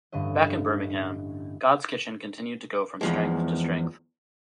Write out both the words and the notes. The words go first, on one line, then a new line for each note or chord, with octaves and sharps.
Back in Birmingham, Godskitchen continued to go from strength to strength.
A1 G2 D3 C#4 D#5
E2 F3 G#3